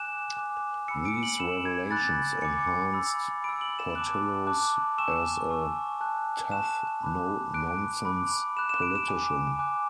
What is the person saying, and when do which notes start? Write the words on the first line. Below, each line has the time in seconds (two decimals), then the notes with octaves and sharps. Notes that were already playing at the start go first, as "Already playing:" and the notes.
These revelations enhanced Portillo's as a "tough, no-nonsense" politician.
Already playing: G#5 D6 F#6 E7
0.37 G#5 D6 F#6
0.88 B5 E6 C#7
1.05 D7
1.23 F#7
1.39 B5 E6 E7
1.65 G#6
1.91 G#5 B5 D6 F#6 A6
2.42 G#5 B5 D6 F#6 C#7
2.93 B5 E6
3.44 B5 E6 D7
3.61 F#7
3.79 E7
3.95 A5 D6 F#6
4.47 A5 D6 F#6
4.98 G#5 C#6 E6 E7
5.49 G#5 C#6 E6
6.01 A5 C#6 F#6
6.52 A5 C#6 F#6 E7
7.03 B5 D6 F#6
7.54 B5 D6 F#6 D7
8.05 B5 D6 F#6
8.56 B5 D6 F#6 E7
8.69 E7
8.82 D7
8.95 E7
9.08 G#5 D6 F#6 E7
9.59 G#5 D6 F#6